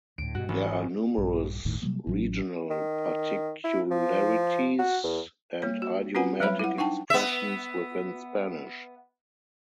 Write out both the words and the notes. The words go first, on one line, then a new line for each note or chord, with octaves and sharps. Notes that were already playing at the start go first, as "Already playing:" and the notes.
There are numerous regional particularities and idiomatic expressions within Spanish.
D2 A2 D7
G2 B2 F#4
G#1 E3
A#1 G2
G1 D#2 A2 D#3
C3 F#3 G3 A#3
A1 F#3 C#4
D#3
E4
F3
F#4
E2
G3 A#3 C#5
F#4
C4 C#4 F4 B4 F#5 G#5
F#3 G3 B4 C#5 E5 B5
E4 F#5
D4 D#4 F#5 G5 A5
B3 E5